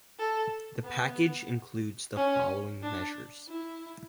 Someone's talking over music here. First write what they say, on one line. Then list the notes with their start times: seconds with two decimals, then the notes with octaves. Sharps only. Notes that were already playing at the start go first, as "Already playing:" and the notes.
The package includes the following measures.
0.19 A4
0.85 B3
2.16 C#4
2.82 D4
3.48 E4